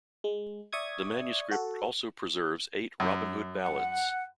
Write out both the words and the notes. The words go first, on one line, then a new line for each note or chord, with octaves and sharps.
The manuscript also preserves eight Robin Hood ballads.
G#3
D5 E5 C#6 D#6 G#6
F#4 A4
F#2
F#5